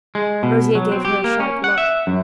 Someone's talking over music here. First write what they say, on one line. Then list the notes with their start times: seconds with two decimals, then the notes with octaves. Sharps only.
Rosier gave her a sharp look.
0.15 G#3
0.43 B2
0.75 F#3
0.92 C4
1.05 G4
1.24 A#3
1.40 C#4
1.64 F#5
1.78 E5
2.07 F#2